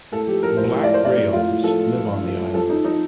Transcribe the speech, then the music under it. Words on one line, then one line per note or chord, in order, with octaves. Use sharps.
Black rails live on the island.
A2 A4
F3 G4
F3 A#4
A2 C5
A2
A2 D5
C5
A2 D5
A2
A2 F4
A2
F3 A4
A2
F3
A2
F3
F3
F3 A4
F3 D#4
F3 D#4